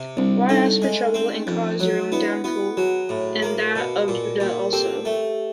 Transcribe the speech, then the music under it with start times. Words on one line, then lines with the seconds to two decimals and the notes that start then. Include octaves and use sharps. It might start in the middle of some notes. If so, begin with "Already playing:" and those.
Why ask for trouble and cause your own downfall and that of Judah also?
Already playing: C3
0.17 C2 C4 D4
0.49 A3 C#4 D#4
0.82 G#3
1.14 C4
1.47 F2
1.80 F#3
2.12 B3 D4 E4
2.44 B3 E4 F#4
2.77 F#3 F#4 G#4
3.09 A2
3.42 A#3
3.76 B2
4.08 A#2
4.40 A#2
4.73 C4 G4 A4
5.05 A3